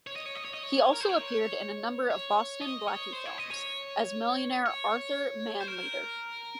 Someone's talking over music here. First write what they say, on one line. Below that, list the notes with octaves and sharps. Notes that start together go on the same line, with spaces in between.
He also appeared in a number of Boston Blackie films as millionaire Arthur Manleder.
C#5
D#5
C#5
D#5
C#5
D#5
C#5
A#4
C5
C#5
C#5
D#5
C#5
C5
C#5
D#5
C#5
C#5
C5
A#4